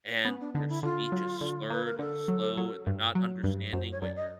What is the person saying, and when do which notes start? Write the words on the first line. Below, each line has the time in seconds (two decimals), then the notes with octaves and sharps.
and their speech is slurred and slow, and they're not understanding what you're
0.25 B3 C#4
0.40 D4
0.54 D3 D#4
0.69 E4
0.83 D3 F4
1.12 F#3
1.41 D3
1.70 A#3 B4
1.85 A#4
1.99 D3 A4
2.28 F#3
2.57 F#3
2.87 G2
3.15 F#3
3.44 G2
3.73 F#2 C5
3.92 C#5
4.02 F#2 D5
4.16 D#5